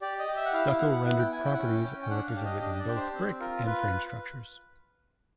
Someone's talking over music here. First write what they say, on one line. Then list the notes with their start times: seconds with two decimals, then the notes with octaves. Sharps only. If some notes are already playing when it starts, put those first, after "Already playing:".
Stucco rendered properties are represented in both brick and frame structures.
0.01 G4 D5
0.19 D#5
0.28 G4
0.36 E5
0.45 F#5
0.53 E4 F5
0.67 F5
0.79 B3 F#5
0.92 F#5
1.06 E4 F#5
1.19 G5
1.32 E4 G#5
1.45 G5
1.54 F#5
1.58 C#4 G5
1.84 C#4
2.02 G5
2.10 D4 F#5
2.27 F5
2.36 G4
2.45 D#5
2.61 D4 D#5
2.74 D#5
2.80 D5
2.88 G4
2.96 C5
3.14 C4
3.40 F4 A#4
3.66 F4 B4